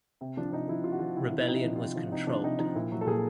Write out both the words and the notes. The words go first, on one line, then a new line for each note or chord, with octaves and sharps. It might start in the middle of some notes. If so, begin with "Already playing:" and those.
Rebellion was controlled.
C3
F3 D4
C3 D#4
F3 E4
C3 F4
F#4
F3 F4
C3 E4
F3
E4
C3 D#4
F3
F4
C3 E4
F3
C3 D#4
F3 D4
C3 D#4
F3 D#4
A#2 E4
F#3
A4
A#2 G#4